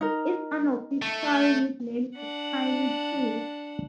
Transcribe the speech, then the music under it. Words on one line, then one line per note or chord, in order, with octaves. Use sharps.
Its unofficial nickname is "Shiny Two".
D#4 A#4
A3
D4 F#5